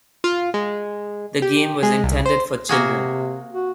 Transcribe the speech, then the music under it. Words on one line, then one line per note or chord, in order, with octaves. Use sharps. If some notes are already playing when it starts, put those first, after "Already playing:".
The game was intended for children.
F4
G#3
G4
G#3
C2
C5
C3 A#3 F#4 G#4
F#4